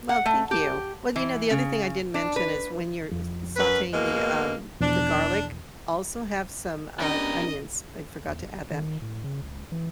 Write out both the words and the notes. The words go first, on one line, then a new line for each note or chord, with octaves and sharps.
Well, thank you. Well, you know, the other thing I didn't mention is when you're s sauteing the, um, the garlic, also have some, uh, onions. I forgot to add that.
F#5
A3
G4
E3
C#3
D4
B4
F2
F#2 B4
B2 G#3 A#3
E2 B2 F3 D4
B3 C#4 D4 G4 A#4 D#5
E2
G#1
D#3
A2
C#3
C#2
E3